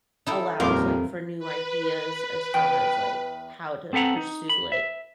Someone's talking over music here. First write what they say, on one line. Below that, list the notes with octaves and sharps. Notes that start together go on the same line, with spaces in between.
allows, like, for new ideas as far as, like, how to pursue, like
D#4 E4 A4
D#1 A#1 F2 A#4 C6 D6
B4
E2 G5
C4 A4 B4 F#5 A#5
D#4
B5
E5